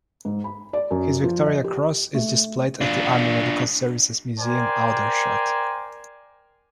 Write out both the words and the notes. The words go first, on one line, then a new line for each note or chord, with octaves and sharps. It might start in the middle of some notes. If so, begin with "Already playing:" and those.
His Victoria Cross is displayed at the Army Medical Services Museum, Aldershot.
G#2
B5
D5
F#2
F3
D#5
G4
A3
D4 F4
A#4 C5 D5 G5 G#5